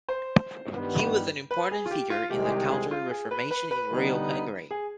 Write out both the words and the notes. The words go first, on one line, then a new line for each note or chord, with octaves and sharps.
He was an important figure in the Counter-Reformation in Royal Hungary.
C5
G2 D#3 G3 B3
B4
G#4
F4
G4
F4
C2 C3 D#3 G#3 G4
G#4
G4
G#4
F4
G#4
B4
B4
B4
D3 G3 B3 D#4
G#4